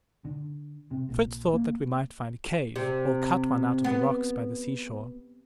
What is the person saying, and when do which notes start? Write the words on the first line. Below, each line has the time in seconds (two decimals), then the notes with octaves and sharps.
Fritz thought that we might find a cave, or cut one out of the rocks by the sea shore.
0.25 D3
0.91 C3
1.09 A#1
1.53 A#3
2.76 C3
3.84 B3